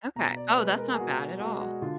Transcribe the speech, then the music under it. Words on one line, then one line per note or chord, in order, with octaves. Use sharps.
Okay, oh, that's not bad at all.
B2 A#5
D5
G#3 B4
A#4
G#4
B2 F#4
G#3 F#4
F#4
D3 F4